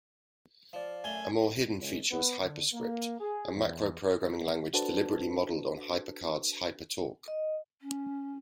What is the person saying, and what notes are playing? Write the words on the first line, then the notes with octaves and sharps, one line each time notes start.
A more hidden feature was HyperScript, a macro-programming language deliberately modelled on HyperCard's HyperTalk.
F3 D5 F5
F#2 A3 G#5 C6
C#2
B3
D3
A#3
G#4
E2
D4 F#4 A4 B4 C5 A5
D#5
C#4